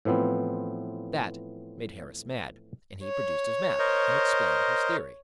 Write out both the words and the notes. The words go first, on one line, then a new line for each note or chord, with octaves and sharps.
That made Harris mad, and he produced his map, and explained his theory.
A2 E3 F3 B3 C4
C#5
A#4 C5 D#5